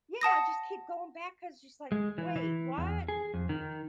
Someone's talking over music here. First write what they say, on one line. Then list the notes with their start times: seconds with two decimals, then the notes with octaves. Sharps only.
Yeah, I just keep going back 'cause she's like, "Wait, what?"
0.21 F#5 A5 D#6 A#6
1.92 G#3
2.18 E3
2.36 E3
2.78 E2
3.08 G#4
3.34 F2
3.49 D#3